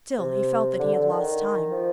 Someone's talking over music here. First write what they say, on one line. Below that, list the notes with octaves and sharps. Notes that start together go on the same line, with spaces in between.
Still, he felt that he had lost time.
C3
D3
D3
D#3
F3